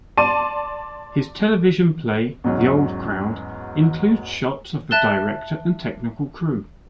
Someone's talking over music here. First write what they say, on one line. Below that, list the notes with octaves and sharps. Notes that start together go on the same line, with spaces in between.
His television play "The Old Crowd" includes shots of the director and technical crew.
D5 A5 C6 D#7
E2 G#2 F#3 C#4
E5 A5 F#6 A6 E7 G7